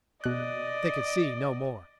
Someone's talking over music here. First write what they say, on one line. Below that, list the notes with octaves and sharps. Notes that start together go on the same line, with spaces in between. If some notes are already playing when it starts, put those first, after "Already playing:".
They could see no more.
B2 D5 D#5 F#6